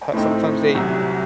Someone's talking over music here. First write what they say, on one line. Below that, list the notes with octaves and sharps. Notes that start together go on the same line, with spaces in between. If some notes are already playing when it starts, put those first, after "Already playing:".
sometimes they
A2 A3 C4 D#4
C2 C3 F#3